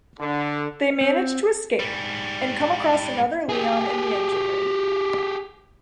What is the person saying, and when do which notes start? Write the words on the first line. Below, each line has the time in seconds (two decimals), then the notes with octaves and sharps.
They manage to escape and come across another Leon in the engine room.
0.20 D3
1.01 C4
1.80 G#2 G3
3.49 G4 G#4